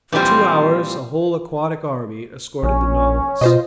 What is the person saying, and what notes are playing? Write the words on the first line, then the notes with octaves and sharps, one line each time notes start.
For two hours a whole aquatic army escorted the Nautilus.
A#2 E3 F3 G3 C4
A#1 C#4
B2 F4 C5 D#5